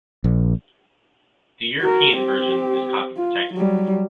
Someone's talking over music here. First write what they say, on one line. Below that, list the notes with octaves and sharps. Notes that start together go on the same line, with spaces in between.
The European version is copy protected.
A#1
F#4 A#4
C4 G4
F4
F#3 G3